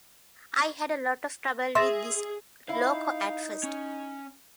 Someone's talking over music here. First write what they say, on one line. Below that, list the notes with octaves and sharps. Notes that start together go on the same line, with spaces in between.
I had a lot of trouble with this loco at first.
G#4 E5 C6 A6 A#6
D#4 E4 F5
C#4